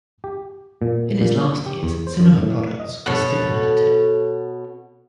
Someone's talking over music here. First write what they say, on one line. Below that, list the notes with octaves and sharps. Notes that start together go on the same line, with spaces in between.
In its last years, Cinema Products was still innovative.
G4
A#2
A#2
C#5
G4
E2
C5
F#2
A2
D#5
B2 A4 C#5